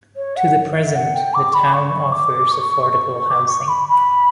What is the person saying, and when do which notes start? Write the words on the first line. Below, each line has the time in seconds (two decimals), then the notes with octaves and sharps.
To the present, the town offers affordable housing.
0.16 C#5
0.36 F#5
0.75 E5
0.95 F#5
1.14 G5
1.34 D6
1.53 B5
1.73 C#6
2.11 D6
2.51 C#6
2.90 C#6
3.28 D6
3.48 C#6
3.68 B5
3.88 B5